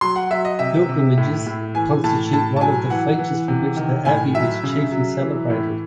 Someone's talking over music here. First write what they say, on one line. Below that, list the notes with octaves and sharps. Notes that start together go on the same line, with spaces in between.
Pilgrimages constitute one of the features for which the abbey is chiefly celebrated.
F#3 C6
F#5
F#3 E5
D#5
C3 E5
C3
A2
A2
E3 G#5
A2 A5
A2 A5
A5
F#3 G#5
E3 F#5
E3
C3
D#3
A2 G#5
F#3 E5
C#3
F#3
E3
A2